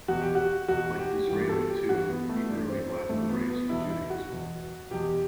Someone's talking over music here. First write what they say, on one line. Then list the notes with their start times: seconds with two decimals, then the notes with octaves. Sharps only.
Like Disraeli, too, he early left the ranks of Judaism.
0.08 E2 B2 F#4
0.21 G4
0.35 F#4
0.68 E2 B2 F#4
0.99 G4
1.29 G2 E3 G4
1.49 A4
1.69 G4
1.89 G2 E3 F#4
2.10 B3
2.29 A3
2.49 G2 E3 D4
2.70 C4
2.90 C4
3.09 G2 E3 A3
3.29 B3
3.50 B3
3.69 E2 B2 E4
3.90 E4
4.10 F#4
4.30 E2 B2
4.91 E2 B2 G4